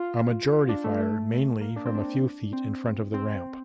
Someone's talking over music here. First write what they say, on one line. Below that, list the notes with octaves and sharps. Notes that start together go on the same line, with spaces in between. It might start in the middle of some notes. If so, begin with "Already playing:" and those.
A majority fire mainly from a few feet in front of the ramp.
Already playing: F4
D4
A3
A3
A#3
D4
C4
D4
C4
C4